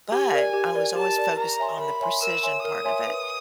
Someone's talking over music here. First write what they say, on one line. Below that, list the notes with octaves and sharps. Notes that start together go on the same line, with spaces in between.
But, I was always focused on the precision part of it,
G4 G#5
A#4 D5
G4
A#4 D5
G4 A5
A#4 D5
A#4 A#5
C#5 E5 G#5 C6
A#4 B5
C#5 E5 G#5 C6
A#4 E6
C#5 E5 G#5 C6
A#4 D#6
C#5 E5 G#5 C6
B4